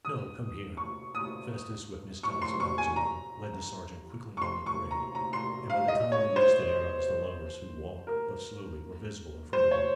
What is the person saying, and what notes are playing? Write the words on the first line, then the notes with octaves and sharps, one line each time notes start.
'No--come here.' Festus, with Miss Johnson on his arm, led the sergeant quickly along the parade, and by the time they reached the Narrows the lovers, who walked but slowly, were visible in front of them.
D#6
C#6
D#6
C#6
C6
C#6
G#5
A#5
C#6
C6
C#6
A#5
A#5
C6
F5
D#5
C#5
C5
A#4
C5
C#5